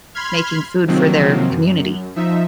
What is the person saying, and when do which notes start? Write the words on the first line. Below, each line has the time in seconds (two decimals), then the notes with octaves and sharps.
making food for their community.
0.14 B5 C6 F6 G#6
0.88 C3 D#3 F3 F#3 A#3 C4
1.49 F#2
2.16 F3 D#4 E5